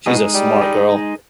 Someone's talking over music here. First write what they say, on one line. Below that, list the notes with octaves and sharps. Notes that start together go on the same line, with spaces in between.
She’s a smart girl.
B2 G#3 D#4 G#4
G3
G#3 D#4 G#4